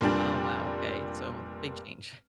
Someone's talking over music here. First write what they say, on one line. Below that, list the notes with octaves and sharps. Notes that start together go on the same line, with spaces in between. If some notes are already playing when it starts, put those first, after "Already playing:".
Oh, wow, okay, so a big change.
F1 A#2 G3 D4 G4 F#7